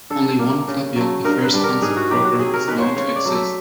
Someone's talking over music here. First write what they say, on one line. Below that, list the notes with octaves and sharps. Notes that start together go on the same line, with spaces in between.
Only one copy of the first concert program is known to exist.
D3 A4
G3 A#3
C#3
F#3 A3
G2 A#4
B4
D3 G3
A#4
G#2 G#4
F#4
D#3 F#3 G4
F#4
C3 G#4
A#4
D#3 G#3 B4
C5 C#5
C#3 C#5
D5
F#3 A3
E5